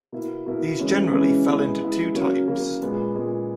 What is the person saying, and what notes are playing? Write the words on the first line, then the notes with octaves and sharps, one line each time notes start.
These generally fell into two types.
B2 A#3 E4
B2 A#3 E4
C#3 E3 G#3 C#4
C#3 E3 G#3 C#4
G#3 B3 E4
G#3 B3 E4
C#3 F#3 A#3 C#4
C#3 F#3 A#3 C#4
A#2 G#3 B3
A#2 G#3 B3